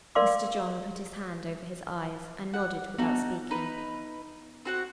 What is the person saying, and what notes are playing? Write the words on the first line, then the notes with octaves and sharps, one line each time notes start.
Mr. John put his hand over his eyes and nodded without speaking.
A#4 D5 F5 C6 D6
F#5
B3 D4 D#4 F#4
D#4 B4
C4 F#4 F#5